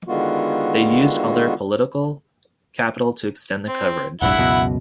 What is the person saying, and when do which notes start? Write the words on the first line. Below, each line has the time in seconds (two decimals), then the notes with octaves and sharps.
They used all their political capital to extend the coverage.
0.08 D3 D#3 G#3 B3 F4 F#4
3.68 C4
4.22 F1 A#1 G2 E4 F#5
4.37 C#2 F#2 B2